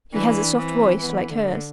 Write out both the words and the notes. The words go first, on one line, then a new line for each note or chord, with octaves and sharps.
He has a soft voice, like hers.
E3 D4
E3 C4
E3 B3
D3 A3